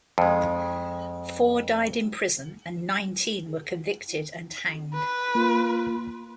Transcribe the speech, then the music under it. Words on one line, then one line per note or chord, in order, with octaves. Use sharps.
Four died in prison and nineteen were convicted and hanged.
F2 G#3
B4
A#3 F4